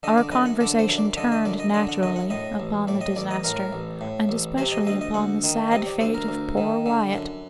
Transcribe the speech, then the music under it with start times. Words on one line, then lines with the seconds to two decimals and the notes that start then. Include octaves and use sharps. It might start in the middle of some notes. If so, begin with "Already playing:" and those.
Our conversation turned, naturally, upon the disaster, and especially upon the sad fate of poor Wyatt.
0.03 D3 D#5
0.17 D5
0.31 F#2 D#5
0.46 F#5
0.60 D3 D5
0.79 C5
0.89 F#2
0.98 D5
1.17 D3 D#5
1.32 D#5
1.45 F#2 D5
1.60 D#5
1.74 D3 D#5
1.89 F#5
2.03 F#2 D#5
2.16 F#5
2.30 A2 D#5
2.60 A1
2.88 A2 D5
3.01 D#5
3.16 A1 D5
3.31 D#5
3.44 A2 A#4
3.73 A1
4.01 A2
4.29 A1
4.58 C3 C5
4.72 D#5
4.87 D2 D#5
5.01 D#5
5.14 D2 F#5
5.44 D#3
5.72 C3 D#5
5.86 D5
6.01 D2 C5
6.14 A#4
6.29 D2
6.57 D#3
6.86 D3
7.13 F#2